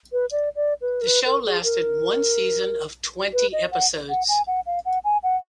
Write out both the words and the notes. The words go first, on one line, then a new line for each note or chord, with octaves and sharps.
The show lasted one season of twenty episodes.
B4
D5
D5
B4
A#4
B4
A#4
G#4
A#4
B4
D#5
F#5
F#5
G#5
F#5
F5
F#5
G#5
F#5